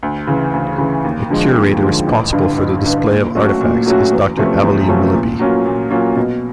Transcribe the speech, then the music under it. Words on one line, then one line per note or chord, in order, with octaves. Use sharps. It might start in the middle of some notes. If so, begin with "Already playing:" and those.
The curator responsible for the display of artifacts is Doctor Avalee Willoughby.
D2
C#3 E3
D2
C#3 E3
D#2
D3 F3 G#3
D#2
D3 F3 G#3
A1
G2 D3
A1
G2 D3
A#2
F#3 A3 C#4 F#4
A#2
F#3 A3 C#4 F#4
E2
C3 F3 A3 C#4
E2
C3 F3 A3 C#4
A#2
F#3 A#3 C#4 F4
A#2
F#3 A#3 C#4 F4
B2